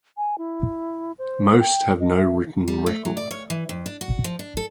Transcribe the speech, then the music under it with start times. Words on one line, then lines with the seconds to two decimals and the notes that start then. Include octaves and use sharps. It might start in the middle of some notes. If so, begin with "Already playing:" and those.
Most have no written record.
0.17 G#5
0.38 E4
1.18 C5
1.60 G5
2.00 D#5
2.17 E5
2.68 G3
2.86 A3
3.05 F#3
3.17 D5
3.31 C#5
3.50 E3
3.69 F2
3.86 D4
4.01 F#4
4.24 F3
4.39 D4
4.57 A4